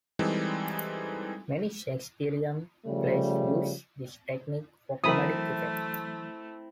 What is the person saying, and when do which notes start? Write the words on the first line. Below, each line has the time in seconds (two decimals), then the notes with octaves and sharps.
Many Shakespearian plays use this technique for comedic effect.
0.19 E3 G3 G#3 C4 D#4 A4
2.86 C#3 F3 G3 A3
5.04 E3 F#3 A3 C4 E4 A#4 B5 D#6